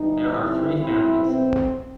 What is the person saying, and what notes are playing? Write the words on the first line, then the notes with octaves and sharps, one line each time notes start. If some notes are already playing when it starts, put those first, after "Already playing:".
There are three families.
Already playing: G1 G2 E3 G3 D#4
C4 E4
B1 B2 F#3 C4 E4
C4